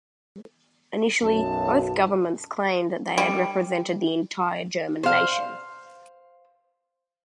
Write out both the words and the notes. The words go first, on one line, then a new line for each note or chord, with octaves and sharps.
Initially, both governments claimed that they represented the entire German nation.
B1 F#2 A5
G3
C5 F5